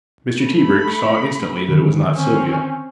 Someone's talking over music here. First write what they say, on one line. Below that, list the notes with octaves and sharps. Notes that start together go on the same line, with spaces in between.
Mr. Tebrick saw instantly that it was not Silvia.
A3 B5
D3 D#3
C4 C#4